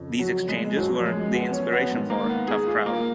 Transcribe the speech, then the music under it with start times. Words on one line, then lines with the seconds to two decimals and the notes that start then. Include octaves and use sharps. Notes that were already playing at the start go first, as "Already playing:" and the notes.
These exchanges were the inspiration for "Tough Crowd".
Already playing: F2 C#3 F3
0.19 F#3
0.48 G#3
0.77 F#2 F3 F#3
1.05 G#3
1.34 B3
1.53 C#4
1.72 B3
1.91 G#2 D#3
2.10 A#3
2.29 B3
2.48 G#4
2.67 F4
2.86 A#3